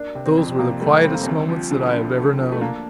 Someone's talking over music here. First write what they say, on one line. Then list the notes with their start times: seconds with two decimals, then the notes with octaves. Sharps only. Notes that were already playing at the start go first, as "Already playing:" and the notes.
Those were the quietest moments that I have ever known.
Already playing: A#3 D4
0.15 C3
0.26 C4
0.38 F2
0.59 C3 A#3
0.81 G3 A3
1.04 G3 C4
1.14 A#3
1.23 D2 C4
1.49 F3
1.71 D3
1.94 D3
2.16 A3
2.39 F3
2.52 A3
2.61 A#3 D4